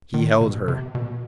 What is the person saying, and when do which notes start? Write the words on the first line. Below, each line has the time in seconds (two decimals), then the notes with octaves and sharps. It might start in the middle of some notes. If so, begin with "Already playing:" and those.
He held her.
0.14 D#3
0.41 B2
0.68 C3
0.95 B2